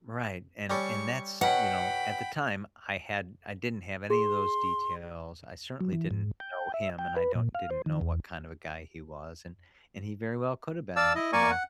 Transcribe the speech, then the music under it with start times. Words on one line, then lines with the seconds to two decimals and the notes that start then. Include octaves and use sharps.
Right, and and that's, you know at the time, I had I didn't have any of those details. I certainly didn't know him, and I don't didn't know what kind of a guy he was. And and he very well could have been, you know,
0.70 G3 C#4 A4 C#6
1.41 B2 C#4 F#5 G5 B5
4.10 G#4 C6
5.81 F#3
5.93 E3
6.11 G#2
6.40 G5
6.74 E5
6.99 G5
7.16 B4
7.35 A#2
7.55 F5
7.71 C5
7.86 D#3
8.01 E2
10.96 D5 F5 A5 E6
11.15 E4 D#5
11.33 A#3 A#4 D5 G#5 C#6
11.51 F#5